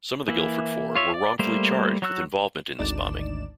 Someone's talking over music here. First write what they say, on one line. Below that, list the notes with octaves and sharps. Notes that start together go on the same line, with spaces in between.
Some of the Guildford Four were wrongfully charged with involvement in this bombing.
E3 A#3 E4
F4 C#5 E5
D5
G3 A3 A#3 A#4 C5
F#3 F#4 E6 F#6
G#1 D2 D4 D#4 D5 E7